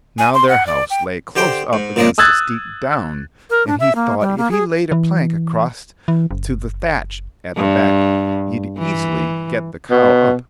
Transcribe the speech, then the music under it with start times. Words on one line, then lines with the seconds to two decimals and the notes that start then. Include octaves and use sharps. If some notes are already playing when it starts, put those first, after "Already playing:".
Now their house lay close up against a steep down, and he thought if he laid a plank across to the thatch at the back he'd easily get the cow up.
0.18 G#5
0.34 C6
0.49 F#5
0.66 D5
0.90 G5
1.36 D3 G4 C5 G5 C6
1.73 G#2
1.96 A#2 C#3 G#3 A#3 D5 D#5
2.18 D#6 E6 F#6 G#6 A6
3.50 A#4
3.67 D4
3.80 E5
3.95 A#3
4.21 G3
4.38 A#3
4.51 G#4
4.92 E3
6.08 E3
6.31 F#1
7.56 G2
8.78 E3
9.91 B2